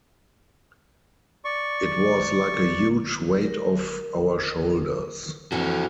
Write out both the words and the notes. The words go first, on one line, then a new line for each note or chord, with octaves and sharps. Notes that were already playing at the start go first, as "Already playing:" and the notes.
It was like a huge weight off our shoulders.
D5 C#6
A#4
F2 E3 F#4 A4 A5